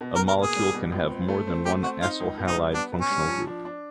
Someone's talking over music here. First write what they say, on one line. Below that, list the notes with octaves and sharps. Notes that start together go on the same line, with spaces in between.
A molecule can have more than one acyl halide functional group.
B2
A#4
B2
A#4
A#3 G#4
G3
B2
C#2
C4
A3
C4
A3 G4
C4 F#4
D#4 F4
C#2
B2
D#4
G3
B3 D4
B2
C#4
G3
F3
D4
D4